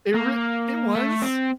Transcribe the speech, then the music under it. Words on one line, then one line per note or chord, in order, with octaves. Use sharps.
It rea it was
A#3
A3
C4